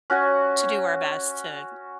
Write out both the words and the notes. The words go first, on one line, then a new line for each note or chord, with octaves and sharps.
to do our best to
C#4 F#4 F#5 G#5